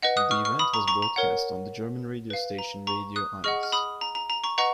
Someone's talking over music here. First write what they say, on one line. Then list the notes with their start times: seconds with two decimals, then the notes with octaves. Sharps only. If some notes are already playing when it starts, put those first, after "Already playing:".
The event was broadcast on the German radio station Radio Eins.
0.02 B4 D#5 F#5
0.17 D#6 F#6
0.31 C#6 F6
0.45 C#6 F6
0.59 B5 D#6
0.73 A#5 C#6
0.88 A#5 C#6
1.02 A#5
1.16 A#4 C#5 F#5
2.30 B4 F5
2.59 A#5
2.87 A#5 C#6
3.16 D#6 F#6
3.44 G#4 D#5 F#5 C#6 F6
3.63 F6
3.72 B5 D#6
4.01 A#5
4.15 A#5
4.30 A#5
4.44 A#5 C#6
4.58 B4 D#5 F#5 A#5 C#6